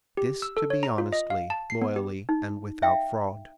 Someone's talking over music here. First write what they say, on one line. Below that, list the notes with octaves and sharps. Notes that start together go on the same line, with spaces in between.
This to be honestly, loyally, and without fraud.
G4
E6
A4
C#5
A#5
F4
D#5
F5
A5
C7
B3
G4
D#4
E5 F5 G5